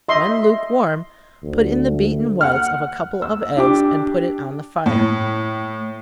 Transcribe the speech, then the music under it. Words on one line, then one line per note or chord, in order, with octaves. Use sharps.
When lukewarm, put in the beaten whites of a couple of eggs, and put it on the fire.
D#5 E5 C6
D2
F#5 F6
E6
D4 G4 D6
A2